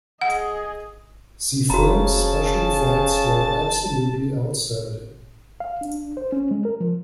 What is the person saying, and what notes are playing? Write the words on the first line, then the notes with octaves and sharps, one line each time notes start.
The film's special effects were absolutely outstanding.
G#4 D#5 F#5
F1 C#3 F#4 A5 A#5
F5
D4
C5
C#4
G#3
A#4
F3